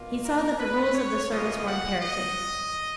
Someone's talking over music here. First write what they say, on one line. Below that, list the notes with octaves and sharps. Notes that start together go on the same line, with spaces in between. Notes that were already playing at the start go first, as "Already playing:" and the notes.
He saw that the rules of the service were imperative.
Already playing: B2 A#3 F4
A#4
B4
C#5
F#2 C#3 F3 A#3 F4 D#5
F#5
D#5